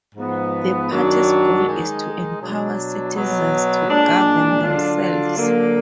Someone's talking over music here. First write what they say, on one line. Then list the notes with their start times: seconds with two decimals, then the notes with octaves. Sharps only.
The party's goal is to empower citizens to govern themselves.
0.15 G#2 F3 B3
0.90 F#2 D#3 F#3 D4
1.64 D#3 G#3 D#4
2.38 B2 F#3 D4
3.13 B2 F#3 B3
3.87 A#2 G#3 D4
4.61 D3 F#3 D4 F4
5.36 D3 F#3 A#3